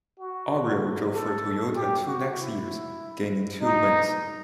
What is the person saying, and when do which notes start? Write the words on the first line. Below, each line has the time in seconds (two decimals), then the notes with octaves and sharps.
Auriol drove for Toyota two next years, gaining two wins.
0.20 F#4
1.13 A4
1.75 G4
2.06 F#4
2.37 E4
3.61 D#4